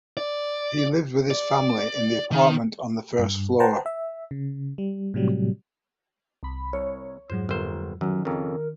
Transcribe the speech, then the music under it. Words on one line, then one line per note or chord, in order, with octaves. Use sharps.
He lived with his family in the apartment on the first floor.
D5
D5
D#3
G2
B4 C5 F#5 G5 A5 A#5
E5
C#3
G3
A2 C3 F#3 G3
C2 B5
C2 C#5
F2 G#2 F#3 C5
G1 A#2 A#4 C5
G1 F#2 D#3 F#3
F2 C#3 A#4